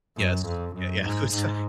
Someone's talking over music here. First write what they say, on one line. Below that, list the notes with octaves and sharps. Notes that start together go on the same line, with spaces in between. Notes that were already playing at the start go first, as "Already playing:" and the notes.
Yes. Yeah, yeah. I'm sorry
F#2
F2
F#2
G#2
G#2